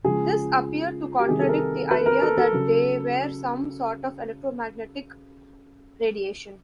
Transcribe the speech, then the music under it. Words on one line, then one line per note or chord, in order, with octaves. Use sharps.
This appeared to contradict the idea that they were some sort of electromagnetic radiation.
C#3 F3 G#3 G#4
G4
C3 D#3 G3 G#4
A4
A#4
B4
A#4
A4
A4
C#3 F#3